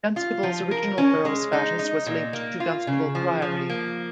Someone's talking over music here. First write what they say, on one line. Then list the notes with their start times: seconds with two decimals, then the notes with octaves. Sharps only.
Dunstable’s original borough status was linked to Dunstable Priory.
0.16 F4
0.43 F3
0.71 A#4
0.98 C#4
1.25 G#3
1.53 D#4
1.79 D#4
2.06 A#2
2.33 A#3
2.60 F4
2.87 C#3
3.15 F3
3.42 F3
3.70 A#3